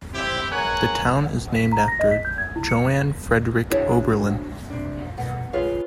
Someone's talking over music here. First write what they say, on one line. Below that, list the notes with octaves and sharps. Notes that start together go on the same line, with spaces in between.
The town is named after Johann Friedrich Oberlin.
C4 E4 G4
G#4 A#4 B4 C#5 F#5 G#5
B6
A#5
A#6
D#5
B6
G6
G#6
E4
C#7
D4 E4 F#4 G#4 C5 C#5
C3 D4
B2 F#5
F4 G#4 B4 C#5 F5